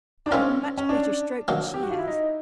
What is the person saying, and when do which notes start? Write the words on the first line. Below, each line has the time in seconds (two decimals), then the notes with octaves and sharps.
I've a much better stroke than she has.
0.26 D4
0.31 G#3 C4 C#4 F4 A#4
0.78 C#4
0.89 D4
1.48 D#3 F#3 A#3 D4
1.74 G4
1.83 F#4
1.90 F4
1.98 E4
2.07 D#4